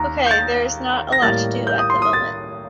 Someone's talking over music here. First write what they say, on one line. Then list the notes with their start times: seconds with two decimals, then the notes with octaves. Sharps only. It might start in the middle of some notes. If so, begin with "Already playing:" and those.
Okay, there is not a lot to do at the moment.
Already playing: D#2 D#3 A#5
0.27 G6
0.31 A6
1.12 A#6
1.22 A2 G3 A#3 A6
1.67 G6
1.79 D#6
1.90 C6
2.02 D#6
2.13 A6